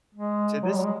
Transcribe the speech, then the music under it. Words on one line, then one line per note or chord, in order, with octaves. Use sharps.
To this
G#3
F#3
G#3
F#3
G#3